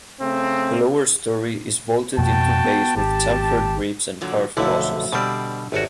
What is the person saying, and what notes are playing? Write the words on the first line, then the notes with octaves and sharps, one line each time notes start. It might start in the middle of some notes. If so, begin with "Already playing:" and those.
The lower storey is vaulted in two bays with chamfered ribs and carved bosses.
C#3 A3 C4
F2 B2 A#3 F#4 G5 A5
B3
G#1 G4 A5
A#2 D3 F#3
B1 F#2 D3 F3 A3 E4
B2 D3 G3 C4 C5 D5
G#1 C3 D4 F#4 C#5